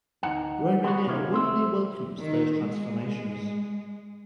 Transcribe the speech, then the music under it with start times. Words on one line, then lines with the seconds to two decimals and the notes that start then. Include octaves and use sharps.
Romania warmly welcomes those transformations.
0.23 D2 G2 D#4 F#5
0.84 B3 F#4
1.07 C3 A#3 C4 C#4 D#4
1.32 C4 C5 E5
2.19 D#3
2.57 G#3